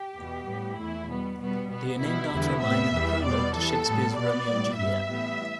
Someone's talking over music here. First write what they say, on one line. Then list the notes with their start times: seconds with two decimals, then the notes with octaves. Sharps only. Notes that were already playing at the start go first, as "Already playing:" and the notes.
They are named after a line in the prologue to Shakespeare's "Romeo and Juliet".
Already playing: G4
0.16 E2 B2 B3
0.47 A2 G3 B3
0.77 E2 E3 A3 E4
1.08 B2 G3 B3
1.38 B2 G3 B3
1.70 B2 B3
2.00 B2 G3 B3 E4
2.31 E2 D3 G3 B3
2.62 A2 G3 B3 E5
2.93 E2 E3 G3 B3
3.23 B2 G3 B3 D5
3.54 E2 E3 G3 B3 A4
3.85 A2 G3 B3
4.16 B2 B3 D5
4.47 A2 G3 B3
4.77 G2 G3 B3 E5
5.08 A2 E3 G3 B3